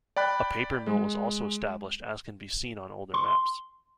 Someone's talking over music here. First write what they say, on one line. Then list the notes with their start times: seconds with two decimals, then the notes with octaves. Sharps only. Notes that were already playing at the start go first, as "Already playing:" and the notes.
A paper mill was also established as can be seen on older maps.
0.16 D5 G5 B5 F#6
0.87 G#3
3.14 C6